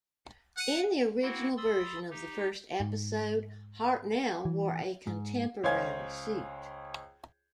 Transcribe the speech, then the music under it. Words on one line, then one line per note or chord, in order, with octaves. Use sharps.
In the original version of the first episode, Hartnell wore a contemporary suit.
F#5 F#6 C#7 D#7
A#3 C4 E4 F#4 F#5
B5 C6 D#6 E6 A6
D#4 G4
G#2
E3
G#2
C#2 C5 C#5 F5 G#5 G#6